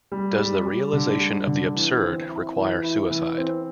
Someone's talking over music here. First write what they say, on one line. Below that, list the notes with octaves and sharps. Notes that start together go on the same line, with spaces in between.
Does the realization of the absurd require suicide?
G3
G3
G3
D3
G3
D3
E3
C4
E4
E3
E4
E3
C4